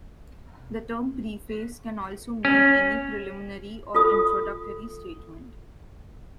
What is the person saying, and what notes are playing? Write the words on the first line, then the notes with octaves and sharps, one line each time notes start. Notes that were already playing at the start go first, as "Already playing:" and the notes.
The term "preface" can also mean any preliminary or introductory statement.
C#4
F4 A4 D#6